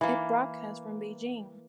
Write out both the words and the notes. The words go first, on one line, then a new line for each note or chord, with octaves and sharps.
It broadcasts from Beijing.
E3 A#3